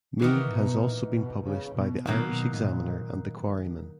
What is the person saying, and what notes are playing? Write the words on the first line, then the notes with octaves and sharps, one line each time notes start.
Mee has also been published by the "Irish Examiner" and "The Quarryman".
D#3 E3 B3 D#4 A#4
B2
A#2
B2
C#3
B2
B2 D#3 F#3 A#3 D#4
A#2